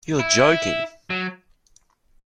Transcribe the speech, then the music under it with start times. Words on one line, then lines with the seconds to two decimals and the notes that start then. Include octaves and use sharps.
You're joking!.
0.20 E4
1.10 F#3